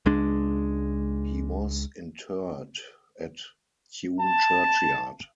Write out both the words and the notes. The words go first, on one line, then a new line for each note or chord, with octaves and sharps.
He was interred at Tune churchyard.
C#2 G#3 D4
A5